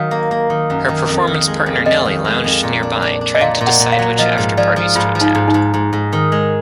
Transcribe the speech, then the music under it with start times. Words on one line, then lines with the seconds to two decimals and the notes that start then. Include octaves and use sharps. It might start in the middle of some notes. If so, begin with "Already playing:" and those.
Her performance partner Nelly lounged nearby, trying to decide which afterparties to attend.
Already playing: D#3 F#3 F5
0.11 A#3
0.31 A#3
0.50 D#3
0.70 F#2
0.89 D#3
1.09 F2
1.27 D#3
1.47 G#3
1.66 F2
1.86 F2 D#5
2.05 D#3
2.25 G#3
2.44 F2
2.63 A#2
2.83 D4
3.02 D4
3.21 D4
3.35 D#5
3.41 A#2 F5
3.61 A#2
3.67 F#5
3.80 A#2
3.92 F5
3.99 F#3
4.18 F3 D#5
4.38 G#2
4.57 F3 D5
4.76 F3
4.95 G#2 F4
5.15 F3
5.21 D#4
5.35 G#2
5.48 D#4
5.54 G#2
5.74 G#2
5.93 G#2
6.13 D#3
6.32 G#3